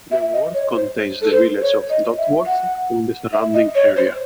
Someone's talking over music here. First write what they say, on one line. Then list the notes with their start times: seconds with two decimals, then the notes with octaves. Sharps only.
The ward contains the village of Dodworth and the surrounding area.
0.11 E5
0.33 D#5
0.54 C#5
0.76 C5
1.22 A4
1.32 C5
1.62 C#5
1.90 D#5
2.18 E5
2.46 F#5
3.33 E5
3.54 D#5
3.75 C#5
3.97 C5